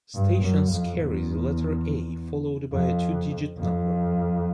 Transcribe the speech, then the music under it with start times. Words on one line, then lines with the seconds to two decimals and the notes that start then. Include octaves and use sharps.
Stations carry the letter "A" followed by a two-digit number.
0.14 G2
0.43 F#2
0.72 F2
1.00 E2
2.72 F2
3.59 F2